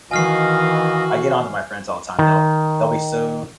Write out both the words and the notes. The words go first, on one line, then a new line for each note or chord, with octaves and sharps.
I get onto my friends all the time, they'll they'll be so
D#3 E3 F#4 D#5 F5 G#5 F6 C7
D#3